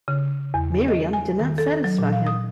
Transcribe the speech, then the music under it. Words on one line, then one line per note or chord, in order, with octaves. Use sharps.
Miriam did not satisfy him.
C#3
E2
D#5
G#5
D#3
A4
F#3
A#2
F5
D#6